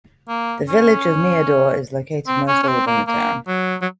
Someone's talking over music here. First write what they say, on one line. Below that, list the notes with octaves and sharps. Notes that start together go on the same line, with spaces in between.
The Village of Milladore is located mostly within the town.
A#3
C#4
C4
C#4
C#4
C4
A#3
A#3
F#3
F#3